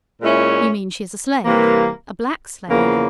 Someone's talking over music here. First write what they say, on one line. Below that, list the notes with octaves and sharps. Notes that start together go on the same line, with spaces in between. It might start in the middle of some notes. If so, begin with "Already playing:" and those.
"You mean she is a slave--a black slave?"
A#2 G#3 C#4 E4
C3 E3 G3 A#3
E2 C#3 F3 A#3